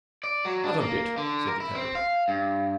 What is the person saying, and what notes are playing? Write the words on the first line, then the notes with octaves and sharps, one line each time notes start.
'Not a bit,' said the Caterpillar.
D5
F#3
D4
A#3
D3
A#4
E4
C4
F5
G2